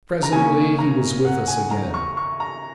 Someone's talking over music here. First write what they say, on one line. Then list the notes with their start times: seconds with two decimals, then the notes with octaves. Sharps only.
Presently he was with us again.
0.23 A#5
0.32 C#3 A#3 C#4 G#5
0.79 A#5
1.25 F#5
1.47 G#5
1.71 A#5
1.94 C#6
2.17 C#6
2.40 A#5